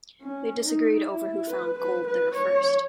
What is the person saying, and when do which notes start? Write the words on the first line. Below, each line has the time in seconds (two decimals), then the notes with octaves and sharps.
They disagreed over who found gold there first.
0.22 C#4
0.66 D#4
1.07 E4
1.50 B4
1.79 B4
2.07 B4
2.35 C#5